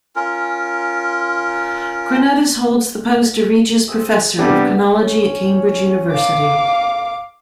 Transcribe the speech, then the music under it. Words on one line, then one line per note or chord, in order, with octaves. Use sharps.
Chronotis holds the post of Regius Professor of Chronology at Cambridge University.
C#4 F4 A#4
C4 G#4 E5
C3 G3 B3 D4 G4 F#5
C#4
F5 D6